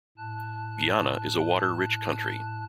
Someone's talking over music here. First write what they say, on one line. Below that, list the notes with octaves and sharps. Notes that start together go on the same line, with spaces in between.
Guyana is a water-rich country.
A2 A5 F#6